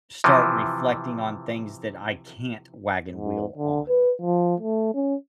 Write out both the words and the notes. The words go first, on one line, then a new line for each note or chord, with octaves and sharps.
start reflecting on things that I can't wagon wheel on,
C3 E3 F3
G#2
D3
B4
F3
A3
C#4